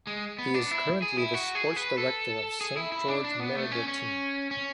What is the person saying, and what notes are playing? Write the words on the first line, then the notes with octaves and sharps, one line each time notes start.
He is currently the sports director of St George Merida Team.
G#3
B3
D4
E4
G#4
E4
F#4
G#4
B4
A4
G#4
E4
E4
D4
D4
B3
A3
C#4
C#4
C#4